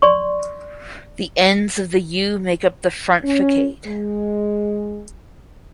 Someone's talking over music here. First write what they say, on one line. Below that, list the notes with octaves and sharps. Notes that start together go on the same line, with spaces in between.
The ends of the "U" make up the front facade.
D5 C6 C#6
C#4
G#3